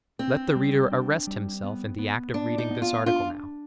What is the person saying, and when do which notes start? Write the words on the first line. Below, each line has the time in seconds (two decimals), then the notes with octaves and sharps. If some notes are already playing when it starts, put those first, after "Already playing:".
Let the reader arrest himself in the act of reading this article now.
0.19 C4 D4
0.56 G3
0.92 D4
1.27 G3
1.64 B3
1.99 B3
2.34 B3 D4
2.58 D#4
2.71 B3
2.82 F4
3.06 D4 F4